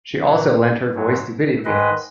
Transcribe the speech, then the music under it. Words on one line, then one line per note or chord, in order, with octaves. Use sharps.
She has also lent her voice to video games.
A#2 F#3
G#2 F#3
G#2 D#3 G#3 B4 D#5